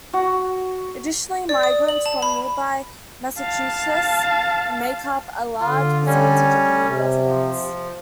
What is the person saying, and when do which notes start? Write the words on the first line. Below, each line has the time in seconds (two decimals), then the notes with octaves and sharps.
Additionally, migrants from nearby Massachusetts make up a large percentage of new residents.
0.13 F#4
1.49 D5
1.63 D#6
1.88 F#7
2.06 A5
2.22 B5
3.39 F5 A5
5.60 D3 F4
6.06 G3 C#4
6.84 C3
7.28 F3